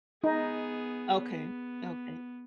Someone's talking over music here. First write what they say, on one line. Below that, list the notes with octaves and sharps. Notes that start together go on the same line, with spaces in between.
Okay, okay.
B3 D#4 G#4
B3